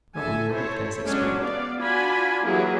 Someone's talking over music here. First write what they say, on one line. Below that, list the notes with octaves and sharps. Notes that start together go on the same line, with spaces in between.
Roland laughed as he spoke.
A4 E5 G#5
E4 A4 C5 C#5
F#3 G#3 C#4 D4 C#5
B3 D5 F5
D4 F4 F#4 G#5 B5
E3 F#3 A#3 E4 G4 G#4